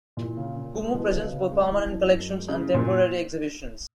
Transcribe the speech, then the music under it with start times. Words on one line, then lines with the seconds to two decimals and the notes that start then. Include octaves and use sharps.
Kumu presents both permanent collections and temporary exhibitions.
0.17 A#2 E3
0.37 C#3
0.56 C#3
0.75 G#3
0.94 B2 E3
1.14 C#3
1.32 C#3
1.51 G#3
1.71 E3
1.91 F#2
2.10 F#2
2.29 G#3
2.48 C#3 E3
2.68 F#2
2.74 A#2